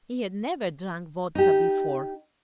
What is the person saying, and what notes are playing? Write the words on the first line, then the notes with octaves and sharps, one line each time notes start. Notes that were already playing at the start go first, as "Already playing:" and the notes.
He had never drunk vodka before.
D#4 G4